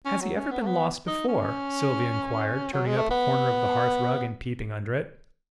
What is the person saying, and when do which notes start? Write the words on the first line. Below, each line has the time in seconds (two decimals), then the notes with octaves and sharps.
"Has he ever been lost before?" Sylvie enquired, turning up a corner of the hearth-rug, and peeping under it.
0.05 C#4
0.21 F#3
0.36 C#4
0.51 B3
0.61 A3
0.66 B3
1.07 D#4
1.28 C#4
2.73 F#3
2.86 G#3
2.98 A3
3.11 B3